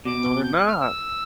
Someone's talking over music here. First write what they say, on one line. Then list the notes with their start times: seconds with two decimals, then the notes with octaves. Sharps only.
No, they're not.
0.05 B2 D6
0.43 G6
0.56 F#6
0.68 F6
0.80 E6